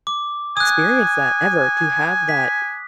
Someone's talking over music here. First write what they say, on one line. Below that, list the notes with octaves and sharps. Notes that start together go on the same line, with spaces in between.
experience that, ever, to have that
D6
G#5 D#6 F#6
B6